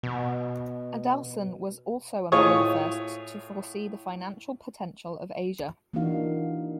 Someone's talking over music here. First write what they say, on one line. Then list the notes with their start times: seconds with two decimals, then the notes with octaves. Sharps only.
Adelson was also among the first to foresee the financial potential of Asia.
0.03 B2
2.32 A2 F4 G#4 C#5 C#6 D#6
5.93 E3 A#3 D4 D#4 F#4 F5